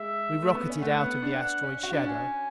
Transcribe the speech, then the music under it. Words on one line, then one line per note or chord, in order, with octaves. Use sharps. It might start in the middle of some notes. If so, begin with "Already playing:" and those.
We rocketed out of the asteroid's shadow.
Already playing: G#3 E5
A3
B3
C#4
A3 F#5
B3
D4
C#4
F#4
D4
C#4 G#5